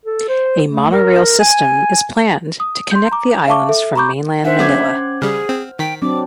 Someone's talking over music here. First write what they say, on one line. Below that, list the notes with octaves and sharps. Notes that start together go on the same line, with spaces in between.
A monorail system is planned to connect the islands from mainland Manila.
A4
C5
A3
A#4
G#5
D#6
C6 G6
A#5 D6
E5 F5 A5 C#6 D6
A4 E5
A#5 B5 C#6 D6 G6
D4 C5 E5 F#5
F#3 B3 C#4 D6 G#6
C#3 G3 G#4 F6
C4
D#3 G5 B6
F#3 C4 D4 D6